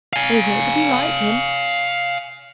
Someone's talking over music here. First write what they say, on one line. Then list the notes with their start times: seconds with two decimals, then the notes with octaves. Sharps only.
There's nobody like him.
0.13 F5 G#5